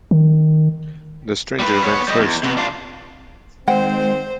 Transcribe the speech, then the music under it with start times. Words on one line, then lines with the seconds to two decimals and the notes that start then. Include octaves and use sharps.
The stranger went first.
0.11 D#3
1.59 G3 B4
1.84 B3 C#5
2.08 G3 D#5
2.20 E2
2.43 C3 B3
2.57 D4 F4
3.68 D#3 G#3 C4 C5 F#5 G5